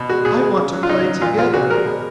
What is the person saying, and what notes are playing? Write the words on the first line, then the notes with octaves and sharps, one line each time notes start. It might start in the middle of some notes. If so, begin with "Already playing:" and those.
I want to play together.
Already playing: B2
G#3 F#4
B2 G#4
G#3
C#3
F#3
F4
C#3 D#4
F#3
A#2 F4
F3 G#3 F4
A#2 F#4
F3 G#3 A#4
B2